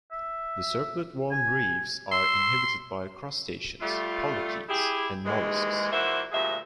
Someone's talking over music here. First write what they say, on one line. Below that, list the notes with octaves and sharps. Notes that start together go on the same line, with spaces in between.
The serpulid worm reefs are inhabited by crustaceans, polychaetes and mollusks.
E5
G#5
C6 E6
G3 A3 F4
E4 G4 G#4
D#2 G#2 E3 G#3
A#2 E3 A#3 F#4 C5 E5
D2 G2 A#2 F3 G#4 E5